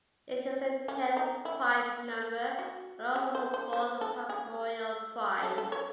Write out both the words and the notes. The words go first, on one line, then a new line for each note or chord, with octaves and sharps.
It is the tenth prime number, and also the fourth primorial prime.
C#4
D#4
E4
F#4
G#4
C5
C5
C5
A4
G#4
A4
A4
C#5